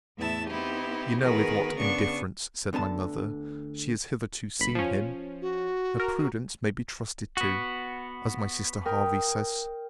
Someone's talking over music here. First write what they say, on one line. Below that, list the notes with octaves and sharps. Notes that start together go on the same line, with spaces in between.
You know with what indifference, said my mother, she has hitherto seen him.--Her prudence may be trusted to, as my sister Hervey says.
E2 A2 B3 E4 E5 A5
B3 C4 D#4 E4 G4
D#3 B3 F#4 G#4 A#4 B4
C#3 B3 D4 C#6
D2 D3 B3 A5
G1 B5
F3 C#4
F#4
A#4
B3 F#4
A#4 G5 D#6